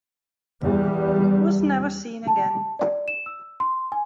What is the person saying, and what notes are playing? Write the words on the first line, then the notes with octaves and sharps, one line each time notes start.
He was never seen again.
E2 G3
A5
D5
E7
E6
C6
G#5